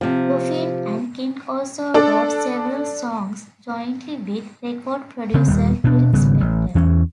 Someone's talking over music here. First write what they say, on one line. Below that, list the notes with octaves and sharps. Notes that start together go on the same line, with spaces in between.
Goffin and King also wrote several songs jointly with record producer Phil Spector.
C3 F3
D4 A4 D5
C#3 C4
D#1 D#2 G3
B2 D4
G#1 C#3 G3 B3
A1
E2 E3 C#4